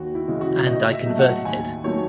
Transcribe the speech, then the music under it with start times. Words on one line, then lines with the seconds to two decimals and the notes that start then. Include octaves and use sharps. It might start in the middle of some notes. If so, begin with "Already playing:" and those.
And I converted it.
Already playing: D#2 F#4
0.15 E4
0.28 C#3 E3 G#3
0.41 F#4
0.67 A2 D#5
0.93 E5
1.06 F#3 A3
1.19 F#5
1.45 D#2 G#5
1.84 D#3 F#3 A3 C#5